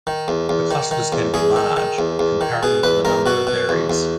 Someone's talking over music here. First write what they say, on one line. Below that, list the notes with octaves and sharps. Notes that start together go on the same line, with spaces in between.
The clusters can be large, comparable to the number of berries.
D#3
E2
E2
D#3
D#3
E2
E2 G#4
D#3
D#3
E2
E2
D#3
B2 G#4
E2 B4
E2 A#4
B2 F#4
B2
E2
E2